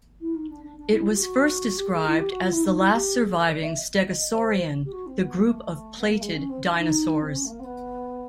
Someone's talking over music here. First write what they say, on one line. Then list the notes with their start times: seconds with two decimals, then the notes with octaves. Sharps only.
It was first described as the last surviving stegosaurian, the group of "plated" dinosaurs.
0.20 E4
0.34 D#4
0.49 D4
0.63 D4
0.77 D4
0.92 E4
1.06 F4
1.15 G4
1.20 F#4
1.77 G4
1.88 A4
1.91 G#4
2.06 E4
2.18 G4
2.30 F#4
2.41 F4
2.52 E4
2.63 D#4
2.77 E4
2.92 G4
3.20 G#4
3.34 A4
3.48 D5
3.63 E5
3.77 D#5
4.06 D#5
4.20 D#5
4.35 C5
4.84 G4
4.92 F#4
5.06 C4
5.20 B3
5.35 A#3
5.49 A3
5.98 B3
6.06 A#3
6.20 G#3
6.34 C#4
6.49 C4
6.63 D4
6.78 D#4
7.21 C4
7.35 C#4
7.44 A3
7.49 A#3
7.59 C4
7.64 B3